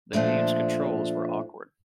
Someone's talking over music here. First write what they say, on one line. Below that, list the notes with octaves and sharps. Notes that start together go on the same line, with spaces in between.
The game's controls were awkward.
A#2 F3 A3 D4